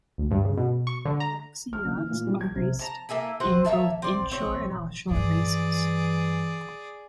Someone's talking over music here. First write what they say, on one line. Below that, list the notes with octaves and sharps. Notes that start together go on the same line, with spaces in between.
Maxi yachts are raced in both inshore and offshore races.
D2
G2
C#3
B2
C#6
D3
A#5
F6
F#1
E3
A#2
G3
G#6
C3
A5 A#5
A#3 E4 A4 G#5
C4 F#4 B4 C5
A#3 C#5 E5 A5
C4 D5
C4 C#5
G2 E3 G#4 D5